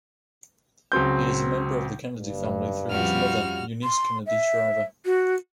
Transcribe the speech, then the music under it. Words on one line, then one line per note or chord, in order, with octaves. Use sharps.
He is a member of the Kennedy Family through his mother, Eunice Kennedy Shriver.
C#2 F#3 C4 G6
F#1 G2
F2 G3 C#4 F4 F#4 F6
C6
E5
F#4